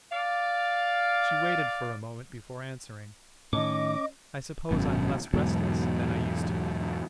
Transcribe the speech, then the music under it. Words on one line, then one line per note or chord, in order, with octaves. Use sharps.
She waited for a moment before answering: "I suppose I'm less restless than I used to be."
D5 F5
A2 D#3 C#4 D#5 D6
G#1 F#2 B2
E2 G#2 B2 F#3